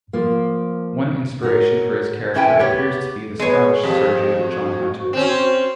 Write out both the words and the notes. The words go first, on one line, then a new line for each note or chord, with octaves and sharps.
One inspiration for his character appears to be the Scottish surgeon John Hunter.
F3 A#3
F#4 A#4 C#5
C3 E3 C#4 E4 B4 G5
B3 G4 C#5
G#3 B3 C#5
F2 G4
F#4
C4 C#4